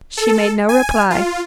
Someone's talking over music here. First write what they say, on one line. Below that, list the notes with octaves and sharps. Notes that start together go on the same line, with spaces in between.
She made no reply.
A4
G#5
F4